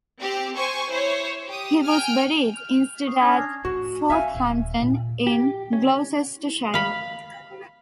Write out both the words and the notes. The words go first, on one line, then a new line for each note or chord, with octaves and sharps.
He was buried instead at Forthampton in Gloucestershire.
C4 G4
C5 G#5 C#6
E4 C5 C#5
G4 D#6
G5 G#5 F6
F6 G6 F7
C#6 D#6 C7
C#4 D4 F6 G#6 A#6
A2 F#4
C#4 E5 F5 G#5
D#1
A#2
G4
C#4
F5 B5